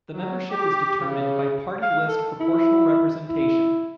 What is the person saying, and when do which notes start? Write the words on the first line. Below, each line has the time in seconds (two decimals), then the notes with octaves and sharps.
The membership is determined by party-list proportional representation.
0.12 F#3
0.50 G4
0.98 C#3
1.83 F5
2.08 A4
2.40 E4
3.29 E4